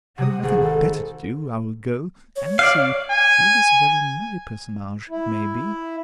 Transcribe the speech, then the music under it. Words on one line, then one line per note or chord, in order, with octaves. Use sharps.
Having nothing better to do, I will go and see who this very merry personage may be.
C3 F#5 D#6
G#1 G#4
A4
C#5
D5 F5
G#5
E4